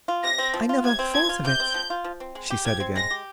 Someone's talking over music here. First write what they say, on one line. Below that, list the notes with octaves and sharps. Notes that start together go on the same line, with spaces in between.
"I never thought of it," she said again.
F4
C3 A#6
C4
F3
F4
C3 G#6
C4
F3 G#6
F4
C3 G6
C4
F3
F4
F3
C4
G#3
G4
F3 G#6
C4
G#3 A#6
G4